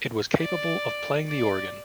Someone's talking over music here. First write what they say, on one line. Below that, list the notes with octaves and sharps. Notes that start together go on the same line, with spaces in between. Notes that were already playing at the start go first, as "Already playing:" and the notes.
It was capable of playing the organ.
D5
D5